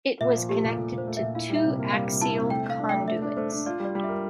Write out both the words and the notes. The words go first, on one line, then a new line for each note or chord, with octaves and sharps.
It was connected to two axial conduits.
A#2 E5
F3
A3 G4
A#2
A#2 A4
A#2
C5
A3
E5
A#2
E4 F5
G3
E5
C3
A#3
G3 F5
C3
E4 A5
C3
A3 G5
A3 F5
D4
G5
A3
A3 E5
D4
A3 C5
D4
F4 D5
G3 D5
G3
E5
A#4